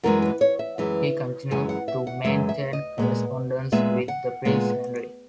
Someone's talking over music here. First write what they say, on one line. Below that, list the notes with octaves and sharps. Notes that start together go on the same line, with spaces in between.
He continued to maintain correspondence with the prince Henry.
F#2 E3 G#3 A#4
B4
C#5
E5
F#2 E3 G#3
F#2 E3 G#3 G#5
F#5
E5
F#5
F#2 E3 G#3 E5
E5
D#5
A#2 G#3 B3
A#2 G#3 B3 E5
F#5
A#2 G#3 B3